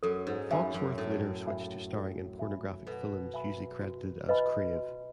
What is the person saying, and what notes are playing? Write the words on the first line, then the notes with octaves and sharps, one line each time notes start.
Foxworth later switched to starring in pornographic films, usually credited as "Crave".
F#2 A4
G#2
F#2 E5 G#5 B5
F#2
A2 A4
E5 G#5 B5
A4
E5 G#5 B5
B2 A4
E5 G#5 B5
F#4
B4 D#5 G#5 B5
F#4